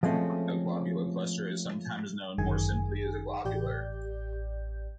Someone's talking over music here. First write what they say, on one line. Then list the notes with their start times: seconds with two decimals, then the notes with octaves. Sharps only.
A globular cluster is sometimes known more simply as a "globular".
0.03 F3 G#3 A3 C4 C#4
2.38 G1 F#2 D#3 G#4 G#5
3.45 A1 G4 D5 G6